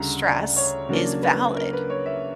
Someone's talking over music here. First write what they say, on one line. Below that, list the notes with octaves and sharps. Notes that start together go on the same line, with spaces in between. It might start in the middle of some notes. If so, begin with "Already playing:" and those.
stress is valid.
Already playing: D2 C#3 G3 A#5
D5
C#5
C#3 F#3 A#3 D4
B4
A#4
B4
C#5
E5